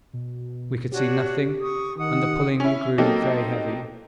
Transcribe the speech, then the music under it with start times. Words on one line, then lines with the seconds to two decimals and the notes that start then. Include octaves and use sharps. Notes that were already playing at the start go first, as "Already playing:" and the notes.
We could see nothing, and the pulling grew very heavy.
0.13 B2
0.92 D4 F#4 G4 C#5
1.61 C#6 D#6
1.97 D#3 F#5 D#6
2.60 C#4 E4
2.98 F#3 A#3 C4 D#4 G4 A4